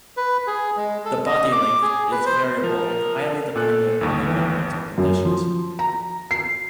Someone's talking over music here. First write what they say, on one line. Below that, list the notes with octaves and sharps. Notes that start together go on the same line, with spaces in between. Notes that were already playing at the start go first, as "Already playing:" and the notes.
The body length is variable and highly dependent on environmental conditions.
B4
G#4
G#3
A4
D#5
D6
G#4
B4
C5
F3 A#4
A#2 A4 F#6
G1 D#2 C#6
E3
F#2
F3
A#5
C7